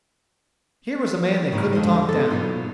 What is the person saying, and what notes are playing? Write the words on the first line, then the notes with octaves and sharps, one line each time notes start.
Here was a man they couldn't talk down.
A2 C#3 D#4 B4
F2 D3 G#3 B3 C5 D#5
B3 A4
B2 F#3 D#4 F4